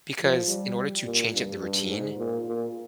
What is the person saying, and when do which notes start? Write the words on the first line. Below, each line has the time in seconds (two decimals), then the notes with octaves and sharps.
Because in order to change up the routine,
0.20 F3
0.48 G3
1.04 A#2
1.32 G2
1.61 G2
1.89 G#2
2.17 A#2
2.45 A#2